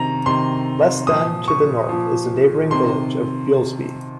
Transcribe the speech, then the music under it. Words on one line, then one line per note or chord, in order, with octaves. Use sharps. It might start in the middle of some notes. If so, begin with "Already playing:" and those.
Less than to the north is the neighbouring village of Beelsby.
Already playing: C3 D#3 A#5
C3 D#3 C6
A#2 F3 D#6
C#6
A#2 F3
C3 D#3 C6